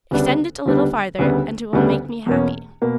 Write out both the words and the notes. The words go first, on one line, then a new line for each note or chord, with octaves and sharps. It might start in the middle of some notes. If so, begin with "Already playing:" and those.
Extend it a little farther, and it will make me happy.
D2 C#3 G3 B3 D4
D2 C#3 G3 B3 D4
D2 C#3 G3 B3 D4
D2 C#3 G3 B3 D4
E2 B2 A#3 C#4
B2 A#3